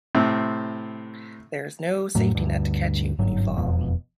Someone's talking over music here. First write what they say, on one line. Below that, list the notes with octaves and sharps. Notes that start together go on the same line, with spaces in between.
There is no safety net to catch you when you fall.
A2 C3 C4
F2 A2 F#3 A3
D2 G2
G1 G#2 F#3
E1 F2 B2